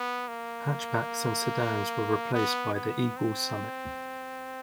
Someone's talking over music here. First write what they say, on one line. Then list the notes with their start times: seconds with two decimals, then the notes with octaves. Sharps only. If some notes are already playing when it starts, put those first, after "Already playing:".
Hatchbacks and sedans were replaced by the Eagle Summit.
Already playing: B3
0.28 A#3
2.34 B3
2.75 B3
3.17 C4